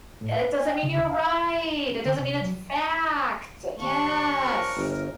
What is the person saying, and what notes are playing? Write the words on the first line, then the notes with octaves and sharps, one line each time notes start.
It doesn't mean you're right, it doesn't mean it's fact, yes!
A2
B4
G#5
G5
C#3
D2
F5
C#4
D3
C3
F#3
D#2 D4 C#6
F3 C#4 A#4
G1